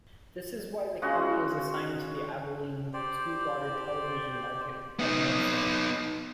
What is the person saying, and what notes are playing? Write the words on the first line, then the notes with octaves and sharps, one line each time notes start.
This is why the county is assigned to the Abilene-Sweetwater television market by Nielsen.
C#3 G#3 F#4
G4 C5 D5
B3 D#4